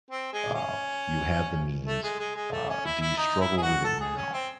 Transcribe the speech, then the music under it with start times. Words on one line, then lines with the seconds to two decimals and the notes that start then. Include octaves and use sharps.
uh, you have the means, uh, do you struggle with it now?
0.10 C4
0.32 G#3
0.54 C#4
1.86 A3
2.03 G#3
2.19 G#3
2.35 G#3
2.52 A3
2.69 C#4
2.85 E4
3.01 E4
3.17 D#4
3.40 E4
3.57 G#4
3.62 F#4
3.84 A4
4.00 G#4
4.16 C#4
4.33 C4